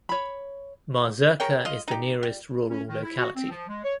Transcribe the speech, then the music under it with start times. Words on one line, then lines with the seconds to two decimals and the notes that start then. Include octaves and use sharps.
Mazurka is the nearest rural locality.
0.09 C#5 B5
1.40 G#4 A#4 C#5 G5
1.65 F4 D#5
1.88 D#4 G4
2.23 G3
2.70 C#4
2.88 D#3
3.03 E4
3.18 F#4
3.35 C4
3.50 F3
3.68 G#3
3.84 C#5